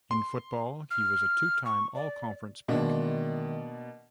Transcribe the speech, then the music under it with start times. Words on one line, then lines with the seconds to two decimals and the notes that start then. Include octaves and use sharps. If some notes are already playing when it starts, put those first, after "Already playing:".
In football, he was a two-time All-Conference pick.
0.11 C6
0.91 F6
1.66 C#6
1.95 D5
2.68 B2 D#3 E3 G#3 A#3 D4